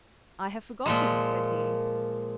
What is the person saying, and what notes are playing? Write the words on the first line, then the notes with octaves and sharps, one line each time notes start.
"I have forgotten," said he.
A#2 F3 G#3